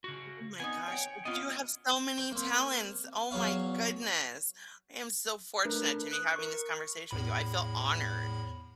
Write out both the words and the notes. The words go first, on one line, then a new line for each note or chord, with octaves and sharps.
Oh my gosh, but you have so many talents, oh my goodness. I am so fortunate to be having this conversation with you I feel honored
C#3 F#4
B3 C4 D#4 G#5
C#5 F#5 G5
B3 C#4 F4 D#5
C5 G5
A#3 C4
E2 F#3 C#5 F5
A3 D4 A#4 B4
D#6 F#6
A#4 C#6
E2 A2 B5